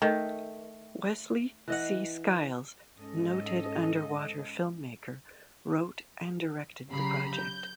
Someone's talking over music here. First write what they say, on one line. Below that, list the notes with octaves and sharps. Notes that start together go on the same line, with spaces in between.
Wesley C. Skiles, noted underwater filmmaker, wrote and directed the project.
D#3 A3
E3 D#5 F#5
G#2 C#4 A4 D#5
C#3 F#3 G4 A#5 B5 C7
G6